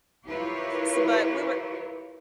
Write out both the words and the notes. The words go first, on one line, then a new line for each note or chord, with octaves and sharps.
s but we were
E4 F4 G4 A#4 B4 C#5